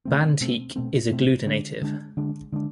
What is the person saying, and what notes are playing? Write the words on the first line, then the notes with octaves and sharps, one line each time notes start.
Bantik is agglutinative.
B2 A3 C4
B2 A3 C4
B2 A3 C4
B2 A3 C4
D3 G#3 D4
D3 G#3 D4
D3 G#3 D4
D3 G#3 D4